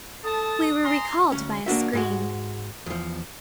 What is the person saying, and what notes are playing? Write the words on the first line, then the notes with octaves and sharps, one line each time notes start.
We were recalled by a scream.
A4 A5 D#6
G#5 A#5 C6
D2 C#4
A#3 D4 F#4 E5
G#2 G#3 F#4
E2 F3